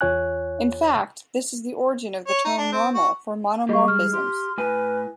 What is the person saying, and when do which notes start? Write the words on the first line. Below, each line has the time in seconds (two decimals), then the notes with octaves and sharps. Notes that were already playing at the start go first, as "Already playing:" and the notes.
In fact, this is the origin of the term "normal" for monomorphisms.
0.01 E2 F4 C#5 G#5 F#6
2.27 C#5
2.45 D#4
2.58 D4
2.72 C4
2.94 F#4
3.69 G3 G#3 G4 D#5 C#6
3.88 F6
4.14 G4 C6
4.58 A2 B4 G#5